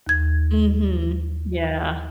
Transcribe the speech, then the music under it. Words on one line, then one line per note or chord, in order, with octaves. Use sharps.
Mhm. Yeah.
D#2 G#6